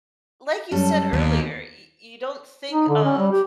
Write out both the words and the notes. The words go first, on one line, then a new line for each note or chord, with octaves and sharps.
like you said earlier, y you don't think of
F#2 G3 A4
D#2 B3
D#4
D3
C#4
G3
G4